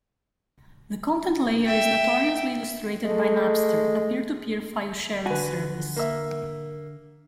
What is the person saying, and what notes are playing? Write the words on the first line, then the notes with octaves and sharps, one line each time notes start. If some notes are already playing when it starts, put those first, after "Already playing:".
The content layer is notoriously illustrated by Napster, a peer-to-peer file sharing service.
E5 G5
G#3 A3
D3 F#4 B4 G#5
A#3 E5